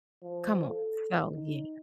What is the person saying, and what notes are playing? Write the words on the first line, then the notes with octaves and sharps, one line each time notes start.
come on, so, yeah.
F3
A4
D#4